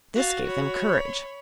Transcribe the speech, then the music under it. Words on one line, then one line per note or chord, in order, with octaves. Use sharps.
This gave them courage.
F#4 F5 A6
C#5 B5